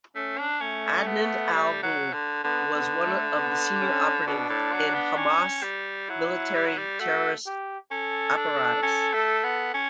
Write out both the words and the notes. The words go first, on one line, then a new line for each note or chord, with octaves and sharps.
Adnan Al-Ghoul was one of the senior operatives in Hamas' military-terrorist apparatus.
A3 C#4
D4
A3 C#4
B3
G3
F#3
D3
D3 B3
B3
A3
B3
C#4
B2 D4
A2
F#3
B3
C#4
G3
F#3 E4
G3
F#3
G3
A3 F#4
G4
C#4 A4
D4
C#4
A3
B3
C#4